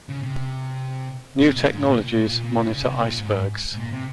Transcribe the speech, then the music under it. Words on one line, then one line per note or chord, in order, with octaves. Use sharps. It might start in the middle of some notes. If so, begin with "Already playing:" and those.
New technologies monitor icebergs.
C#3
C3
C3
A#2
G#2
A#2
C3
A#2
A#2
A#2
A#2
C#3
D#3
C#3
C3
A#2
G#2
G#2
A#2
C3